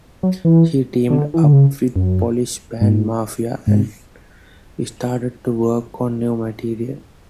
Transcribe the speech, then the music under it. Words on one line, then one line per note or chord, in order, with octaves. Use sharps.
She teamed up with Polish band Mafia and started to work on new material.
F#3
E3
D3
E3
D3
C#3
F#2
G#2
G#2